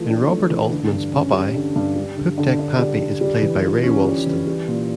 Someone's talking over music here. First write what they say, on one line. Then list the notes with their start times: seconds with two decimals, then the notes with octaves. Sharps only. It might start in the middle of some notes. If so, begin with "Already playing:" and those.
In Robert Altman's "Popeye", Poopdeck Pappy is played by Ray Walston.
Already playing: E3 A3 F4
0.08 D4
0.30 A3
0.50 E3
0.72 D3
0.92 G2
1.13 C#4
1.33 G3
1.55 D3
1.76 G2
1.96 G3
2.16 D3
2.38 D3
2.59 D4
2.79 G3
3.01 D3
3.21 G3
3.42 E3
3.62 F4
3.83 C#4
4.05 G3
4.26 E3
4.47 G3
4.68 A#2